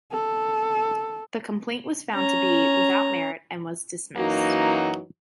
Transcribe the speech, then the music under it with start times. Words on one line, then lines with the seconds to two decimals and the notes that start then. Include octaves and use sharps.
The complaint was found to be without merit, and was dismissed.
0.12 A4
2.14 C#4 A#5
4.17 F#2 E3 F#3 A#3 D#4 F#4